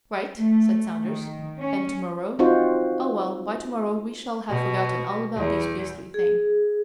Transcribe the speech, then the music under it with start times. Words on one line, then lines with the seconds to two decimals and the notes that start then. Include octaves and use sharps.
"Right," said Saunders; "and to-morrow--Oh, well, by to-morrow we shall have forgotten all about this beastly thing."
0.36 A3
1.05 D#3
1.58 C#4
2.39 C4 D#4 F4 F#4 C5
4.49 B2
5.36 E2
6.14 G#4